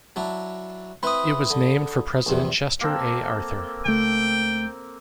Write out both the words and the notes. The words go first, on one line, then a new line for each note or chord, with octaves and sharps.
It was named for President Chester A. Arthur.
F#3 D4 E4
C4 E4 B4 B5 D#6
D3
A#1 E2 C3
A#3 C4 A4
C#2 A3 G5